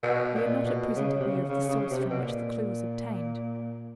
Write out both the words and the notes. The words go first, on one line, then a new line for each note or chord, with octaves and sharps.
We are not at present aware of the source from which the clue was obtained.
B2
A#2
B2
C#3
C3
C#3
C#3
C#3
C#3
C3
B2
A#2